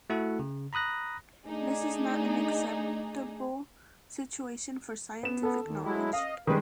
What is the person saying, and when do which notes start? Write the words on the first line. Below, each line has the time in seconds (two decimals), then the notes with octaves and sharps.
This is not an acceptable situation for scientific knowledge.
0.10 A3 E4 F#4 A4 F#5
0.39 C#3
0.73 A#5 B5 D#6 F#6 A#6
1.47 A3 D4 D#4 G#4
5.23 B3 E7
5.43 B3 A4
5.65 D#2
5.85 F#3 G#3 E4
6.13 D#5 F5
6.47 D#3 G3 G#3 B4